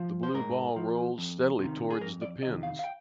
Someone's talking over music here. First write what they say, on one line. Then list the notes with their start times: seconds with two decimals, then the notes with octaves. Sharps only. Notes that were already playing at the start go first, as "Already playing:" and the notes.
The blue ball rolls steadily towards the pins.
Already playing: F3
0.23 C5
0.34 G#2 A#4
0.76 F3
1.18 F2
1.59 C3 D#3
1.90 G#4
2.00 F2 A#4
2.22 D5
2.42 C3 D#5
2.47 D#3
2.63 F5
2.79 F5
2.84 G5